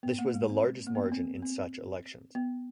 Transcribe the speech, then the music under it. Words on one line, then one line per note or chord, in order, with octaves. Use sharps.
This was the largest margin in such elections.
B3
A#3
G#3
C4
A#3
B3
C4
C4
B3